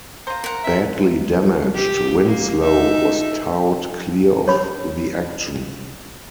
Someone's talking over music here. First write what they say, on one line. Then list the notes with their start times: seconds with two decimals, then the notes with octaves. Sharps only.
Badly damaged, "Winslow" was towed clear of the action.
0.27 F4 C5 A#5
0.44 A#4 F#5
0.64 E5
1.74 G4
2.27 A#3
2.61 D#4 E5
4.48 C#5 B5